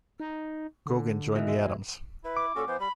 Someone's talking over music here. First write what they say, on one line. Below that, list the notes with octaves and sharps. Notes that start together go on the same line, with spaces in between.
Gogan joined the Atoms.
D#4
D3
B2 D#3 E3
G#3 E4
E4 B4
D6
A#2 C#4 F#4 A4
E3 B3 C5
G3 B5